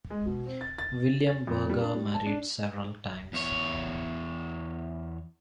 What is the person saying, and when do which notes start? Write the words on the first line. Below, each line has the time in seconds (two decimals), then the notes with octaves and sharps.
William Berger married several times.
0.10 G#3
0.26 B2
0.46 C4
0.61 A6
0.78 A6
1.27 A6
1.47 F2
1.70 G3
1.81 D4
1.95 G3
2.14 A5
2.26 D4
3.33 E2 C#5